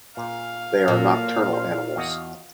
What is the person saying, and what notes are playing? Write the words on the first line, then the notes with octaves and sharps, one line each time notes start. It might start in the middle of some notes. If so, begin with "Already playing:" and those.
They are nocturnal animals.
A#2 F5
A#2 F#3 A4
C5
E2 F#4 D#5